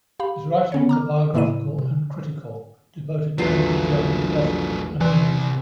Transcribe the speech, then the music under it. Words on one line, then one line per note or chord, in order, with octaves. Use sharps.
His writings are biographical and critical, devoted mainly to German philosophy and literature.
G4 F5 B5
B3 C#4 C#5
A#5 D6 F6
A2 C#3 A#3 E4 D5 D#7
C3
A#1 E2 F#3 A3 F4
C3 E3 D5